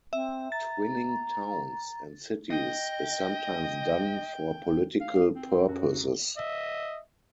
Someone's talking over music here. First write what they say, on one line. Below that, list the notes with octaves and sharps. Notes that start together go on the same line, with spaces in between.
Twinning towns and cities is sometimes done for political purposes.
C4 E5
A#5 A6
D#5 G5
F5
C4
F#2 F#4
D#5 E5